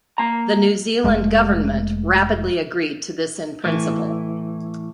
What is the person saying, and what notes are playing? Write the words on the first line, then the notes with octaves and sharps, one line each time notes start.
The New Zealand Government rapidly agreed to this in principle.
A#3 A#5
F1 F#2 G#3 A3
A2 E3